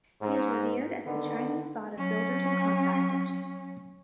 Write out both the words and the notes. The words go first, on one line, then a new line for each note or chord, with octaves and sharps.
He is revered as the Chinese god of builders and contractors.
G#2
D3 D#3 B3
F#3 C#4